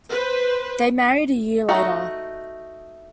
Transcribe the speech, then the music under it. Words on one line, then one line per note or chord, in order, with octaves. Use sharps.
They married a year later.
B4 C5
A3 D#4 F#4